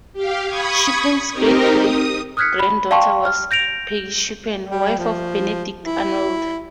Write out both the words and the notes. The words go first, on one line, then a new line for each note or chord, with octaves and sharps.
Shippen's great-great-granddaughter was Peggy Shippen, wife of Benedict Arnold.
G4 F5
B5 C#6 D#6 G#6
C4 D#4 G4 A#4
D#6
D#6 F6 F#6 G#6 B6 C#7
B5
D5 F5 G5 A5 C6 C#6
F6
G6 A#6 D7 F7
G3
F3
E4